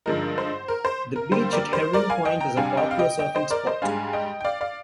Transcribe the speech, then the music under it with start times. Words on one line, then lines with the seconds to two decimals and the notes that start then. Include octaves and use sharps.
The beach at Herring Point is a popular surfing spot.
0.06 G2 D3 F3 G#3 D#4 A#4
0.38 C5
0.68 A#4
0.85 C5
1.16 A#4
1.31 D3 G3 A#3 C5
1.52 A#4 D5
1.73 C5
1.93 A#4 D5
2.10 F5 G#5
2.25 D#5 G5
2.40 G5 A#5
2.56 C3 G3 D4 F5 G#5
2.77 D#5 G5
2.91 F5
2.99 D#5 G5
3.19 D#5 G5
3.35 C5 D#5
3.51 A#4 D5
3.66 C5 D#5
3.82 G#2 G3 D4 F5 G#5
4.13 D#5 G5
4.41 G5
4.44 D5 F5
4.61 D5 F5